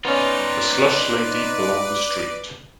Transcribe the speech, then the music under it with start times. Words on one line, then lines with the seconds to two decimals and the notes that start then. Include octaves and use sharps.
The slush lay deep along the street.
0.05 B3 C#4 D#4 F4 B4 D5